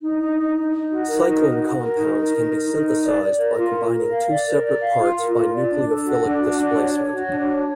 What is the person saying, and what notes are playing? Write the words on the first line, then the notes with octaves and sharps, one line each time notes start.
Cyclen compounds can be synthesized by combining two separate parts by nucleophilic displacement.
D#4
D#4
D#4
D#4
D#4
F#4
A#4
D#4
F#4
F#4
A#4
D#4
A#4
D#4
A#4
D#4
A#4
D5
D5
A#4
F4
A#4
A#4
F5
D5
A#4
D5
F5
F4
A#4
F4
D5
D4
A4
F#4
D4
F#4
D4
C#5
C#5
F#4
D4
C#5